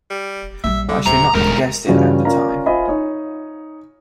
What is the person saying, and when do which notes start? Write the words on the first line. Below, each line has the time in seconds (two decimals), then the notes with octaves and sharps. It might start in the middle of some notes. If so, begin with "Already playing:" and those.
But I should not have guessed it at the time.
0.10 G3
0.64 A#1 G3 E5
0.89 D3 G3
1.06 D1 C3 A#5
1.35 D#1 G#2 D3 G#3 A#4
1.86 G2 C#3 E3 C#4 F4 F#4
2.25 C#4 F4 A#4 D5 A#5
2.66 F4 C5 D#5 E5 G#5 B5
2.88 D#4 C#5